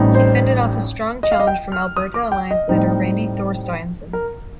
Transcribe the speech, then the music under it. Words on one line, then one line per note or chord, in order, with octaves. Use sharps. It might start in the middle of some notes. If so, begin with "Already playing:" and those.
He fended off a strong challenge from Alberta Alliance leader Randy Thorsteinson.
Already playing: A1 A2 G3 C4 D#4
C5
D#5
F5
D#5
G5
F6
D#6
D6
G5
D#5
A2 G3 C4 D#4
A#4